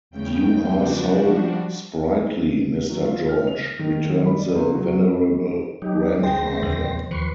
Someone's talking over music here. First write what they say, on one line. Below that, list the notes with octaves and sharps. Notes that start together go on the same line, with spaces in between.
"You are so sprightly, Mr. George," returns the venerable grandfather.
E2 C#3 G5
F3 G3 D4 F#4
F#3
F4
F6
F7
D#3
D#3
B5
D5
C#2
F#3
F#3 D#4 G4
D2 G#4 C5 G5 A#6
E2 A#2 F3
D#2 F3 B4 C6 C#6